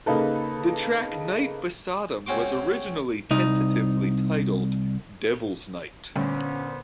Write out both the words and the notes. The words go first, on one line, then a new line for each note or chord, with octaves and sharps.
The track "Night, BeSodom" was originally tentatively titled "Devilsnight".
C#3 A#3 D#4 A4 B4
C#2 C4 C#4 F#4 C6 D6
C2 D#4
A#2 D3 G3 A3 B3 C#4 C5